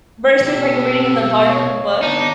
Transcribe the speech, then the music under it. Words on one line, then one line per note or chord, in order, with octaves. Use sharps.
Versus, like, reading in the dark with a book,
B2 G4 A4
C#5 D#5 F5
D3 B3 D4 D#4